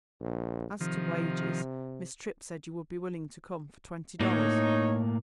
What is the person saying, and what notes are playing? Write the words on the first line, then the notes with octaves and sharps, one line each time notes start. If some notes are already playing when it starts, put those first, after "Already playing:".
As to wages, Miss Tripp said you would be willing to come for twenty dollars.
A#1
C3 D#3 F3
A2 A#3 D#4 C#5